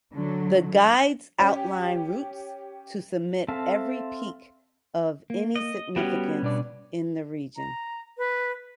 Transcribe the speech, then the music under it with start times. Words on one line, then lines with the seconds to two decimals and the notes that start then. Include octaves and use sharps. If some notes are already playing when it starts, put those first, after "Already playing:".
The guides outline routes to summit every peak of any significance in the region.
0.13 D3 F#3
1.40 C#4 G4
3.48 C4 A4 E5 F5 A5
5.30 A#3
5.56 D#5
5.96 G3 B3 C#4 F#4 G4
6.42 B2 D4 D5
7.57 A#5
8.18 B4